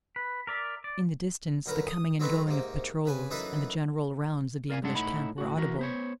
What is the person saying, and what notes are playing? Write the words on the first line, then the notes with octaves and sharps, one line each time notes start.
In the distance the coming and going of patrols and the general rounds of the English camp were audible.
B4
A#4 D5 E5
D5
B1 D3 A#4 B4
D#6
F#3 C4 D#4 A4 B4
G#2 C3 A#3
C#3 B4 G#5
F#2 E3 D#4 A4 B4 F#5
A#4 D5 F5 G5 G#5
C#2 G2 G#3 D4 A4 F#5
A2 D#4 E4 F#5 B5
A2 F#4
E3 F#4 A#4
B3 C5 C#5